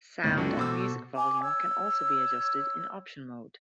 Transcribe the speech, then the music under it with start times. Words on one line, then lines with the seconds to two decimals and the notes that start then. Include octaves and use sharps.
Sound and Music volume can also be adjusted in Option Mode.
0.24 G1 C#2 E4 C#5
0.37 F#3 C#4 F#4 A4
0.57 B2 C5 D6 E6
1.16 G#5 D6
1.43 C#5 E6